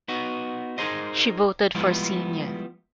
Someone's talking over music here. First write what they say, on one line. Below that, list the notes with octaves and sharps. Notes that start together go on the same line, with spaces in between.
She voted for Xenia.
B3 D#4 F#4
D#4 G4 G#4 A#4 C5 D#5
F3 G3 G#3 B3 E4 F4